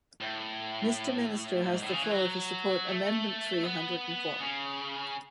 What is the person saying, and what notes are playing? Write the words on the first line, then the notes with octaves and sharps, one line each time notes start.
Mr Minister has the floor to support amendment three hundred and four.
A2
G#2
A2
C#3
E3
F#3
A3
B3
C#3